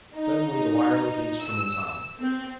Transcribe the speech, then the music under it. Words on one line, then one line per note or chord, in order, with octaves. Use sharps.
Suddenly the wireless instruments hummed.
D#4
E6
C4